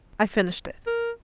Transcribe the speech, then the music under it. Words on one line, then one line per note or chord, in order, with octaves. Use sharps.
I finished it.
A#4